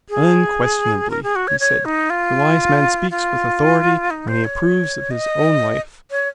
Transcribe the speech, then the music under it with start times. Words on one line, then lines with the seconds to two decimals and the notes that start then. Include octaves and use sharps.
Unquestionably, he said, the wise man speaks with authority when he approves of his own life.
0.09 G#4
1.10 A#4
1.23 G#4
1.36 F#4
1.48 C#5
1.60 C#5
1.85 D#4
2.10 F4
3.11 F4
4.10 D#4
4.28 C5
4.44 C#5
5.11 D#5
6.11 C#5